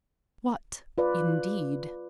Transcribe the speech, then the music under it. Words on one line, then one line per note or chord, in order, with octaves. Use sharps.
What indeed!
F4 B4 D5